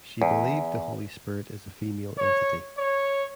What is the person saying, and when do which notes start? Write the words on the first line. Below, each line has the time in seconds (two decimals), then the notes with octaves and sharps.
She believed the Holy Spirit is a female entity.
0.22 E2
2.18 C#5
2.78 C#5